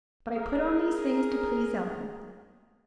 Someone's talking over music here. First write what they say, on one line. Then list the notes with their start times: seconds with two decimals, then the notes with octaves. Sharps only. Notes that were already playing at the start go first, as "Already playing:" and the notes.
But I put on these things to please Ellen.
0.35 G#4 A#4